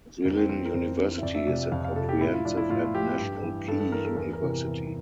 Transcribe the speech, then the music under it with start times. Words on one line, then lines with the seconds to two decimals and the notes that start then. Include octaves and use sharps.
Jilin University is a comprehensive and national key university.
0.25 F2 A#3
0.37 C4
0.49 E3 C4
0.65 A#4
0.74 F2 C5
0.99 E3
1.19 E5
1.23 F2 D5
1.35 E5
1.47 C3 F3 D5
1.59 E5
1.72 F2 F5
1.84 F5
1.96 C3 F3 A4
2.09 G4
2.20 A2 E4
2.33 F4
2.45 F3 D4
2.57 E4
2.69 A2 F4
2.84 F4
2.94 F3 G4
3.19 G2
3.43 E3
3.68 G2 A4
3.80 A4
3.92 E3 A#4
4.05 A4
4.16 E2 A#4
4.33 A#4
4.42 C3 E3
4.50 A#4
4.66 E2